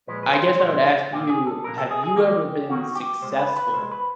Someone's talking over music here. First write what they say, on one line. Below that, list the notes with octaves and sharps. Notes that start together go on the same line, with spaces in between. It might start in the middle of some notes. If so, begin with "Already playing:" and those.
I guess I would ask you, have you ever been successful
A#2 F3 G#3 B4
B4
C5
A#2 F3 G#3 C5
C2 A#2 F3 A#3 G4
G#4
A4
C2 A#2 F3 A#3 A#4
A4
G#4
G#4
D#2 D#3 G3 A#3 G4
D#2 D#3 G3 A#3 F#4
G4
C2 B2 G#3 C5
B4
B4
C2 B2 G#3 C5
B4